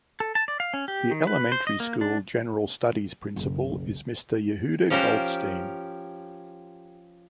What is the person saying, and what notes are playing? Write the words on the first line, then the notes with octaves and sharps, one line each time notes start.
The elementary school general studies principal is Mr. Yehuda Goldstein.
A4
A5
D5
F5
C#4
G4
D#3
B4
C5
D#5
A#3
D4
F#1 B1
F3 C#4 G4 A#4 C5